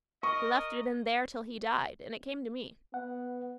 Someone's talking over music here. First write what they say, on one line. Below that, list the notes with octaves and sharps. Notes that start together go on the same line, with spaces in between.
He left it in there till he died, and it came to me.
A#4 D#5 C#6
B3 F#5